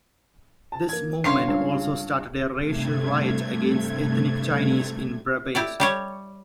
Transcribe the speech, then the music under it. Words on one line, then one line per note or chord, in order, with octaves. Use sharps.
This movement also started a racial riot against ethnic Chinese in Brebes.
A5
A#3 G#6
G1 C#3 C#5 F5 C6 C7
C#2 G2
G2 C3 A3 G#6
E4 G4 D5
G3 G4 C#5